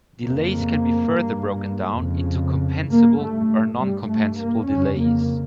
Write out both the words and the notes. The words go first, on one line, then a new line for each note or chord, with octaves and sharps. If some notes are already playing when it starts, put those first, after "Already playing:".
Delays can be further broken down into compensable or non-compensable delays.
F2 C#3 A#3
G2
F2 C#3
G2 A#3
A3
G2 G3
A3
A#3
F2 C#3 C#4
A#3